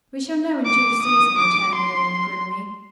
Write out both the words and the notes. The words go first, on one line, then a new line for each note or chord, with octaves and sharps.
"We shall know in due season," returned Miriam grimly.
D6
D#6
D6
C6